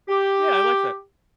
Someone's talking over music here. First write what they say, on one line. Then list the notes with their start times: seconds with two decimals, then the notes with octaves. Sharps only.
Yeah, I like that.
0.08 G4